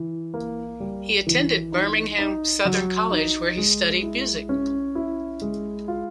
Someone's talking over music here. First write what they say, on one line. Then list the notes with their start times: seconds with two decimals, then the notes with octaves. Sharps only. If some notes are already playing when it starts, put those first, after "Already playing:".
He attended Birmingham-Southern College where he studied music.
Already playing: E3
0.34 A#3
0.80 G3
1.27 E3
1.72 D#4
2.18 D#4
2.65 F#3
3.11 D#4
3.57 G#3
4.03 E4
4.49 C#4
4.95 E4
5.42 G#3
5.88 F4